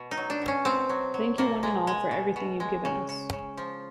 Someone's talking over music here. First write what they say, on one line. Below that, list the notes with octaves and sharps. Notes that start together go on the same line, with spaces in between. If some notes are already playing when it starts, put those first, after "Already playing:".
Thank you one and all for everything you've given us.
Already playing: B2
D#4
F#3
D4
B2
C#4
B2 C4
F#3
F#3
B2 A#3
G#3
G#3
B2
B2
G#3
C#3
C#3
C#3
F3